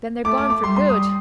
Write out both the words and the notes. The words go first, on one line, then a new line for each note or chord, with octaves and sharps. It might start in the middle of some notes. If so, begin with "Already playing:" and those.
"Then they are gone for good."
A3 D6
D6
D6
G3 C6
C6
D#6